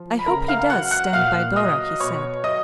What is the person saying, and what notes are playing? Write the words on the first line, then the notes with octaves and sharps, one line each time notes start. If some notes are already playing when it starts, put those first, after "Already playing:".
"I hope he does stand by Dora," he said.
Already playing: F3
B5
C#3 A#4 A#5
F5 F6
F#3 F#5 F#6
F#5 F#6
A#2 F5 F6
F#3 D#5 D#6
B2 C#5 C#6
F#3 D#5 D#6